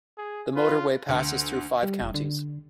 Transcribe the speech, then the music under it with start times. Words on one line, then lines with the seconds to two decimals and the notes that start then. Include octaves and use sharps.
The motorway passes through five counties.
0.18 G#4
0.56 F4 B4
1.09 D2
1.83 G3
2.02 F1
2.14 D3